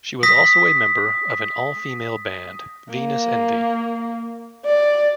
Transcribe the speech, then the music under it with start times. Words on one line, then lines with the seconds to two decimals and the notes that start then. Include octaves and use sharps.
She was also a member of an all-female band, Venus Envy.
0.23 D#6 A#6 B6
2.93 A#3
4.65 D5